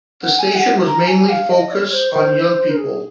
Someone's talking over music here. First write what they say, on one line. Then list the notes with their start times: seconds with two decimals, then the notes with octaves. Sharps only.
The station was mainly focus on young people.
0.23 F#5
0.39 G#5
0.55 F#5
0.87 A#5
1.08 G#5
1.29 F5
1.50 D#5
1.71 C#5
1.92 C5
2.13 C5
2.69 A#4
2.77 G#4